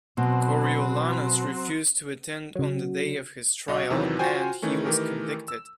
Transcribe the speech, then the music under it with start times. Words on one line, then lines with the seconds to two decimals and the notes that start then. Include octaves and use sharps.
Coriolanus refused to attend on the day of his trial, and he was convicted.
0.17 B2 F#3 C4
2.55 C#3 F#3
3.68 B1 F#4 D#5
3.90 E2 C3 D#3 E3 F#3
4.19 F4 F#4 C5 G5 G#5
4.62 D#3 E3 A3 C#4
4.85 D#3 E3 A3 G4 A#4
5.48 E6